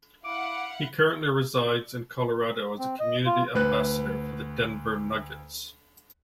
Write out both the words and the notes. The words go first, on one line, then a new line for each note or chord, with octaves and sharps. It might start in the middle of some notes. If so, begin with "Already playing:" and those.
He currently resides in Colorado as a community ambassador for the Denver Nuggets.
E4 F5 F#5 D6
C4
D#5
F4
D2 B4 F#6